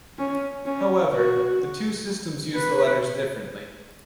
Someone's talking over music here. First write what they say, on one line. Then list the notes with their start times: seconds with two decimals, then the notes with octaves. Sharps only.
However, the two systems use the letters differently.
0.18 C#4
0.65 C#4
1.13 F#4
2.54 B4